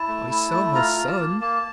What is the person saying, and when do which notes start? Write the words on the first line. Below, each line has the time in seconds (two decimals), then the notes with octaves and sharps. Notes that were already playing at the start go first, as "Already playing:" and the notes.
"I saw her son."
Already playing: E4 A5
0.08 A3
0.31 E4
0.52 A3
0.74 F4 A#5
0.97 F4
1.08 A5
1.19 A#3
1.41 A#3 A5